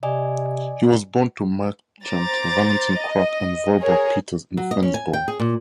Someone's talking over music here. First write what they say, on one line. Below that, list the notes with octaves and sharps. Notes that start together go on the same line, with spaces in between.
He was born to merchant Valentin Krock and Volborg Peters in Flensborg.
C3 D5 D#5 G#5
C5 A#5 D6 A6
D#5
G#4 A#4 C#5
F#3
D#5
C#4
G#5
G5
G#4
A#2